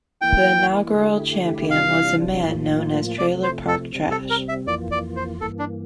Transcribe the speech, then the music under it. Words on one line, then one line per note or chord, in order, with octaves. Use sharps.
The inaugural champion was a man known as Trailer Park Trash.
E3 A#3 E4 G5
D3 A3 E4 G4
C3 E3 G3 D4 F4 F5
A2 F3 A#3 F4
C3 F3 A3 D5
C5
A4
C3 G3 C4
A4
A#4
E5
F2 E3 A#3 F4 D5
D5
C5
G2 E3 A#3 A4
D4